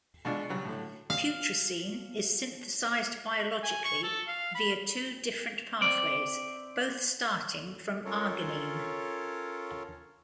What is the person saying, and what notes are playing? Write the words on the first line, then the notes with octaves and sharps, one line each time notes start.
Putrescine is synthesized biologically via two different pathways, both starting from arginine.
B2 G#3 D4 F4
C#3 F#3 G3
A2 D3
F5
G#5
C#6
A4
F5
B5
C4 D5
C#4 F4 A4 A#4 C#5